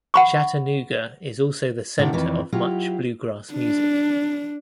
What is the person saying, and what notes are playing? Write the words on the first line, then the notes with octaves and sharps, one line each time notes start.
Chattanooga is also the center of much bluegrass music.
F#5 B5 C#6
A2 D3 D#3 E4
F2 D#3 E3
F#3 E4 F4 G4
D4